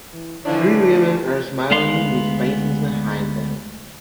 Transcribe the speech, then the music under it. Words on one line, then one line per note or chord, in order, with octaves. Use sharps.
Three women are smiling with paintings behind them.
E3
D3 E3 F3 D4 E4 C#5
A3
D2 G#3 B3 F5 C6